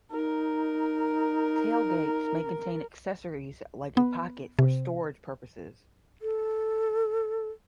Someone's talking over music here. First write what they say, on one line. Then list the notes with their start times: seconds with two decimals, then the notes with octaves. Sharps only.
Tailgates may contain accessories like a "pocket" for storage purposes.
0.11 D#4 A#4
3.97 B3
4.59 C3
6.22 A4